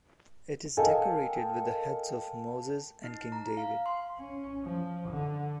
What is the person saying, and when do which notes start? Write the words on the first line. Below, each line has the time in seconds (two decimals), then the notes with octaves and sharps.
It is decorated with the heads of Moses and King David.
0.77 A4 A#4 D#5 F5 G5 G#5
3.04 D#4
3.32 A#5
3.57 F5
3.86 C6
4.19 C#4
4.64 F3
5.10 D3